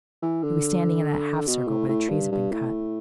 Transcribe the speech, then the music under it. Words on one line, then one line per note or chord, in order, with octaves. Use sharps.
He was standing in that half-circle where the trees have been cut.
E3
D3
B2
A2
A2
G2
G2
A2